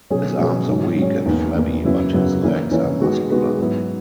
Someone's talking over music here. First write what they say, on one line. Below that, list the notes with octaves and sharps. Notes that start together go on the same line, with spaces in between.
His arms are weak and flabby but his legs are muscular.
B2 F#3 C#4 G#4
B2 F#3 C#4 G#4
G#2 D#3 F#3 C#4
G#2 D#3 F#3 C#4
E2 D#3 A#3
E2 D#3 A#3
F#2 C#3 F#3 B3 E4
F#2 C#3 F#3 B3 E4
E3 A#3 C#4 E4
E3 A#3 C#4 E4
D#3 G#3 B3 F#4
D#3 G#3 B3 F#4
G#2 F#3 B3 E4